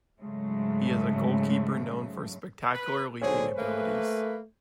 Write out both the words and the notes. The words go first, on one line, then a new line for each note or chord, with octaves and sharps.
He is a goalkeeper known for spectacular leaping abilities.
G#2 C#3 F#3 G#3 A3
B4
B1 D3 G#4 C5 C#5 G#5
A3 A#3 B4